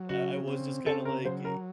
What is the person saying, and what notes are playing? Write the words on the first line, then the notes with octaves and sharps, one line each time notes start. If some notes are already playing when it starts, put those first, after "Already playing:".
I I was just kinda like i
Already playing: F#3
C#3 F#4
C4
C#3 A4
A#4
F#3 C5
A#4